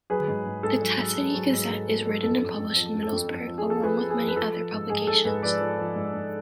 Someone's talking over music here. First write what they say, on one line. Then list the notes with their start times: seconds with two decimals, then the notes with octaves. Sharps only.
The Teesside Gazette is written and published in Middlesbrough, along with many other publications.
0.10 F#3 G#4 B4
0.28 G#2
0.46 G#2
0.63 G#2 A4
0.82 F#3
0.99 F#3
1.17 G#2
1.34 F#3
1.53 G#2
1.70 G#2
1.88 F#3
2.05 F#3
2.23 F2 A4
2.41 F2
2.59 F2
2.77 F3
2.94 F2
3.03 A4
3.12 F2
3.30 F2
3.48 F3
3.58 G#4
3.65 F3
3.70 A4
3.83 F3 G#4 B4
4.01 F3
4.10 G#4
4.19 F3
4.28 B4
4.36 F3 A4
4.54 F3
4.72 G#2
4.89 G#2 G#4
5.07 G#2 A4
5.25 G#2 G#4 B4
5.43 F3 B4 D5
5.60 F3
5.78 F3
5.96 G#2
6.14 G#2